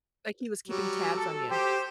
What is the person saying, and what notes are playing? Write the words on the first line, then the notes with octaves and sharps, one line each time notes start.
Like he was keeping tabs on you.
F#3 G3
A4
G4 C5